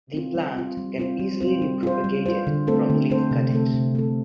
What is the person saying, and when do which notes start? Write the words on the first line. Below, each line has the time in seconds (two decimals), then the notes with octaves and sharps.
The plant can be easily propagated from leaf cuttings.
0.14 C4 F4
0.35 G3
0.57 C4 F4
0.77 G3
0.98 C4 F4 C5
1.19 G3
1.41 C4 F4 C5
1.62 G3
1.83 F4 C5
2.04 G3
2.26 F4 C5
2.47 D3
2.67 A3 C4 A4 C5
2.90 D3
3.10 A3 C4 A4 C5
3.31 C3
3.52 A3 C4 A4
3.73 C3
3.95 A3 C4 A4